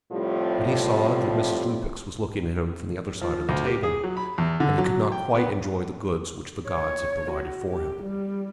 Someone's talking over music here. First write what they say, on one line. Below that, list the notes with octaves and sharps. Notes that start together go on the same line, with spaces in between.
But he saw that Mrs. Lupex was looking at him from the other side of the table, and he could not quite enjoy the goods which the gods had provided for him.
A2 C3 F3 G3
F3
D2
G4
G#4
F#3
B5
E2
D3
F#3
G5
B3
C#5
F#4
G4
G3